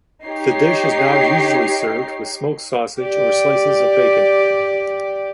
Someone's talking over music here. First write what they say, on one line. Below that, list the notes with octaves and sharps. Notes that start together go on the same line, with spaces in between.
The dish is now usually served with smoked sausage or slices of bacon.
D#4 G4 C#5 C7
G4 D5